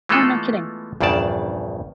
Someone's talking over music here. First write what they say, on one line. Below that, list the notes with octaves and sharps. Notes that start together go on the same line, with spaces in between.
Oh, no kidding.
E3 G#3 A3 B3 F4 A4
A#1 E2 G2 C#3 D5 A5